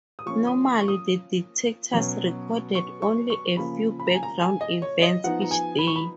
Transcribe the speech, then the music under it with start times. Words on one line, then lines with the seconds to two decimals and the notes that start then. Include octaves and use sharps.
Normally, the detectors recorded only a few background events each day.
0.19 D#6
0.26 F3 A#3 C#4 C#6
0.47 D#6
0.81 C#6
0.88 D#6
1.93 B2 F#3 C#4
2.75 C#6
3.02 C#6
3.30 C#6
3.57 C#3 F3 A#3 B5
4.00 B5
4.07 A#5
4.15 G#5
4.23 A#5
4.41 G#5
4.61 D#5
4.82 C#5
5.02 D#5
5.24 F3 B3 D#4 F#5
5.42 A#5
5.51 G#5
5.79 B5
5.87 C#6
5.96 B5